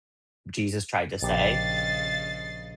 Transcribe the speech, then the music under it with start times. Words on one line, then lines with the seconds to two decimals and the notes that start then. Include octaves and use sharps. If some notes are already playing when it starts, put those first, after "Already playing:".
Jesus tried to say,
1.22 A#1 C#3 G4 D#5 A6 C7